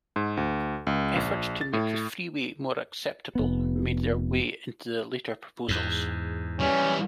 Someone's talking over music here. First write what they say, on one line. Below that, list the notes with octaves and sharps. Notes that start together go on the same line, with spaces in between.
Efforts to make the freeway more acceptable made their way into the later proposals.
G#2
D2
C#2
A#1
A6
A2
F1 B3
E2 G#2
E3 G3 C#4